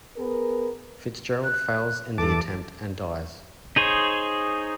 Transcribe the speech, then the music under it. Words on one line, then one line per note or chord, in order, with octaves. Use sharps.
Fitzgerald fails in the attempt and dies.
B3 G#4 A#4
F#6
E2 A4 A5 D6
D#4 G#4 C5 C#5